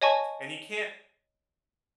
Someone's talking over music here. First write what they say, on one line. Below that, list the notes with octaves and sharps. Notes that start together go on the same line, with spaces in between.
And you can't
C#5 D#5 G#5 A5 C#6